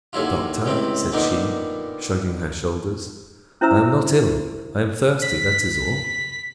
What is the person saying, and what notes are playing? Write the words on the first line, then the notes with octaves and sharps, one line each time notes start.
"A doctor?" said she, shrugging her shoulders, "I am not ill; I am thirsty--that is all."
D#2 D3 F#3 E4 F4
C#2 A2 C3 C4
A#2 D3 D#3 B3
C#4 E4 C5 E5 A#5 E6
B6